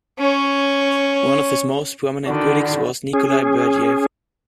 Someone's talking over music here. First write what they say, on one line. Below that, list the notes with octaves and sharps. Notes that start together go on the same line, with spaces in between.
One of his most prominent critics was Nikolai Berdyaev.
C#4 C#5
D3 D#3 E4 F#4 D5
C#4 G#4